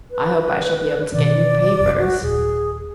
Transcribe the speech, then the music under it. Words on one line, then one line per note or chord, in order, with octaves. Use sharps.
I hope I shall be able to get new papers.'
B4
B2 D#3 D4 D5
F#1 C2
F#4
D#1 G#4